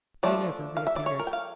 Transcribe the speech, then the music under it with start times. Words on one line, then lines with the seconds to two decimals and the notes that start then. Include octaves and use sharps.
They never reappeared.
0.23 F3 A3 D4 D5
0.77 F5
0.87 E5
0.96 D5
1.06 C#5
1.19 A#4
1.27 G5
1.33 F5